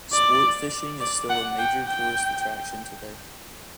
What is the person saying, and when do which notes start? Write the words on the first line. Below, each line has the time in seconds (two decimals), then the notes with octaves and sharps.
Sport fishing is still a major tourist attraction today.
0.13 D5
1.01 D5
1.30 F#5
1.59 G5
1.88 G5